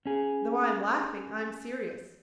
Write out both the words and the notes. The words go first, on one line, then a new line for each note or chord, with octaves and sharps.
Though I am laughing, I am serious.
C#4 G#4